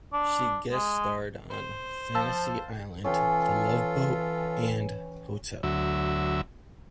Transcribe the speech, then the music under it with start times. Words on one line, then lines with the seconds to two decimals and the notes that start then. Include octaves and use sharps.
She guest starred on "Fantasy Island", "The Love Boat" and "Hotel".
0.13 D4
0.72 G#3
1.50 C5
2.15 F3 F5 A5 E6
3.04 E3 C#4 F4 A4 G5
5.63 D2 F#3 E5